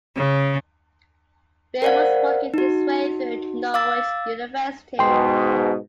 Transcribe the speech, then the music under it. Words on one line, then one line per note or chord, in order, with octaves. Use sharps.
Bill was working his way through Norwich University.
C#3
A#4 C5 D5 F5 F#5
D#4 F#4
F5 D6 E6 A6
G#2 B2 G5 C6